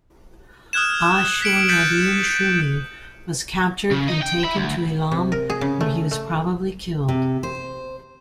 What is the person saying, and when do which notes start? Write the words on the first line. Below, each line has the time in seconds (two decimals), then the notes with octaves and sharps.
Ashur-nadin-shumi was captured and taken to Elam where he was probably killed.
0.73 D#6 F6 F#6 G#6 E7
1.42 B6 C#7 D7 F#7
1.68 G6 A6 B6 C#7 D#7 F#7
3.91 C#3
4.09 D#4 D#5
4.23 G5
4.45 E5 B5
4.56 D2
5.12 C3
5.32 A#4
5.50 G#4
5.61 C#3
5.81 A3
6.11 A3
7.08 C3
7.43 C5